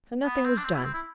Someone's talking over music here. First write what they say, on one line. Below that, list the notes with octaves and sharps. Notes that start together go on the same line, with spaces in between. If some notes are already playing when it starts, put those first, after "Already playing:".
So nothing was done.
B3
C4
D4
C4
E4
C4
E4